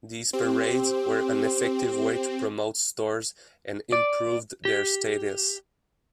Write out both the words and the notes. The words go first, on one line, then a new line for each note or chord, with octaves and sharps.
These "parades" were an effective way to promote stores, and improved their status.
C4 G4
D5
G4